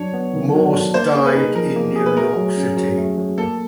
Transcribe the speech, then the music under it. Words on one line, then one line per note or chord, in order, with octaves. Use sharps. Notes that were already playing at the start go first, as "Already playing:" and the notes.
Morse died in New York City.
Already playing: F#3 D4 C#5
B3
D#3
F#3
D4
A#3 C5
G#4
B4
D#4
F3 A#4
A#3
G#4
B4
A3 A#4
F#3
C#4
F#3
A3
F#3
A#3 A4